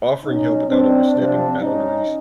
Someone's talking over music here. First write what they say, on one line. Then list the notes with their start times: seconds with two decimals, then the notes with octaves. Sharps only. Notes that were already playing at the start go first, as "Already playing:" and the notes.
offering help without overstepping boundaries,
0.24 B2 C#4 D#4
0.69 C4 D4
1.15 C3 F3 C4 D4
1.61 C#4 D#4